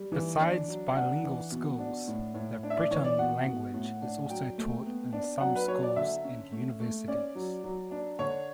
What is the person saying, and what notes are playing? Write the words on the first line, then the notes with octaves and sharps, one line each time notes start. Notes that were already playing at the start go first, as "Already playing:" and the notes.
Besides bilingual schools, the Breton language is also taught in some schools and universities.
Already playing: G3
E3
D4
F#3
D4 F#5
E3
B2
D4
A2
A2
D4
E5
D5
E3 C#5
D5
B2 F#5
B2
A2
D4
F#3 G5
A3
B3
D4
F#3 F#5
B4
F#3 C#5
D5
D3 E5
C#4
A3
A3
C#4 D5
F#3
F#3
D4
D3 C#5